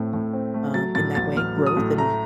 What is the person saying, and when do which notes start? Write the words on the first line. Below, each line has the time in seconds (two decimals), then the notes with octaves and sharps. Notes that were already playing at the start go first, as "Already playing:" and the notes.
um, in that way, growth and
Already playing: A2 A3 C4
0.13 A2
0.33 C4
0.54 A3
0.74 F#3 A6
0.95 A2 A6
1.15 A1 A6
1.36 A1 F6
1.56 F#3
1.66 D#6
1.77 A2
1.98 A3 A#5